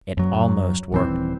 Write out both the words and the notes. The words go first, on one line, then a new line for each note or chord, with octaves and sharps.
It almost worked.
F#2 F#3
D#1 E3 C4